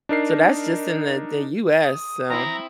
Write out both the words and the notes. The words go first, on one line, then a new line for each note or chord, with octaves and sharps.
so that's just in the the US, so
D4 D#4 A#4 C7
D#6
C4 E4 A#5